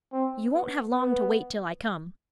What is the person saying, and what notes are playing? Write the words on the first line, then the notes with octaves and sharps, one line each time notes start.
You won't have long to wait till I come.
C4
B3
B3